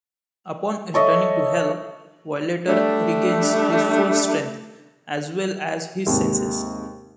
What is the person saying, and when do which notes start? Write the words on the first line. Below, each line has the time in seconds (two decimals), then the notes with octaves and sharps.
Upon returning to Hell, Violator regains his full strength, as well as his senses.
0.94 A4 C#5 D#5 E5
2.67 G3 A3 D4
6.06 D#2 G#2 C3